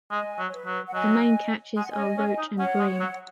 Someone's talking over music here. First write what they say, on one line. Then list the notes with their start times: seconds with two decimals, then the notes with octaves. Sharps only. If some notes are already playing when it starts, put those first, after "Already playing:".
The main catches are roach and bream.
0.11 G#3 D#5 G#5
0.39 F#3
0.49 C#5
0.52 B4
0.66 F#3
0.87 F#5
0.94 F#3 D#5 G#5
1.77 G#3 G#5
1.84 F#5
1.91 D#5 G#5
1.97 C#4
2.18 C#4
2.38 D#4
2.58 C#4 C#5 F#5
2.79 G#3
3.00 F#3